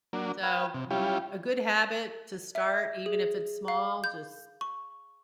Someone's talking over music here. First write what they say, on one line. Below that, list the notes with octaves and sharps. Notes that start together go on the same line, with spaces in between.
So, mhm, a good habit to start, even if it's small, just
F#3 A#3 D4
B4 F5 G5
C3
G3 C#4 E4 F4 G4
E5
G#4
F5
G6
C#6